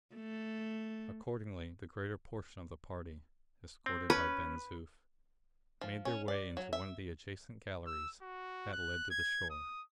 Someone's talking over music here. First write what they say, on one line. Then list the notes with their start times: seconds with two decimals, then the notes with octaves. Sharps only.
Accordingly the greater portion of the party, escorted by Ben Zoof, made their way into one of the adjacent galleries that led to the shore.
0.15 A3
3.86 C4
4.10 C#4 B4
5.81 F3
6.05 C#4
6.28 D5
6.57 F#3
6.73 E5
7.87 E6
8.22 F#4
8.73 F#6
9.11 G#6
9.50 D#6